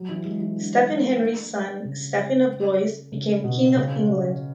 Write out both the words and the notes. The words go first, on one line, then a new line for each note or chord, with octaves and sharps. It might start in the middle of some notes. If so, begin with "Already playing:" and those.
Stephen Henry's son Stephen of Blois became King of England.
Already playing: F#3
E3
G#3
E3
D3
C#3
C#3
B2
C#3